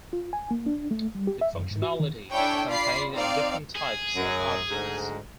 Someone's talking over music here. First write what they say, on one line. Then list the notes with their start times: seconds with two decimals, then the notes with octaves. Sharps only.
The functionality is contained in different types of objects.
0.13 F4
0.33 G#5
0.51 A#3
0.66 D4
0.91 A3
1.15 G3
1.27 G4
1.41 E5
1.53 F#2
1.71 G#2
1.82 F#4
2.00 D#3
2.32 D4 E4 A4 C#5 G5 G#5
2.67 F4 D5 B5 C7
3.13 C4 D#4 D5 F5
3.75 G#4
4.15 F#2
4.69 D2 G#2